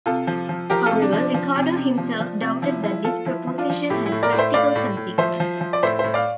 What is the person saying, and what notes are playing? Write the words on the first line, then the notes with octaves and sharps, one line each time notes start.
However, Ricardo himself doubted that this proposition had practical consequences.
C3 F4 A4
F3
F3
F3 G4 A#4
C3 F4 A4
D4
F3
D4
F3
C3
C3
F3
F3
C3
F3 E4
F3 E4
F3 F4 A4
F3 E4
F3
D4 F4
F3
A2 E4 G4
E4
A2
A#4 D5
A2
C5 E5
A2 D5 F5
A2
A2
F3 C5 E5
F3
F3
D5
A2 C5 E5
A2 C5 E5
D5 F5